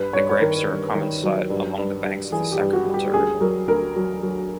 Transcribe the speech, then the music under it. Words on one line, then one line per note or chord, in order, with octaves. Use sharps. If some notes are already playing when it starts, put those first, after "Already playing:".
The grapes are a common sight along the banks of the Sacramento River.
Already playing: G2 B4
G2 C#5
C#5
D#3 A#4
G2
D#3
F#3
G2
G2
G2
E3 G#4
G4
G2
F#4
G3
G4
D2 G#4
F#3 A#4
D2 A#4
F#3
F#3